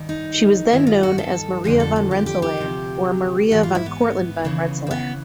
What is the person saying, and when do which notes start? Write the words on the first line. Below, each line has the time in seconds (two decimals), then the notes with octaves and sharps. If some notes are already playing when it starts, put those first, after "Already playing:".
She was then known as Maria van Rensselaer or Maria van Cortland van Rensselaer.
Already playing: G2 D#3
0.09 D#4
0.72 G2 D#3 E4
0.87 F4
1.03 F#4
1.18 A4
1.64 F2 D3 F3 G#4
1.80 A4
1.96 A4
2.11 G4
2.26 G4
2.42 G4
2.57 D2 C3 F3
3.51 G#2 E3 F#4
3.63 F4
3.75 E4
3.86 B3
4.44 D#2 C#3 E3
4.87 C4
4.91 B3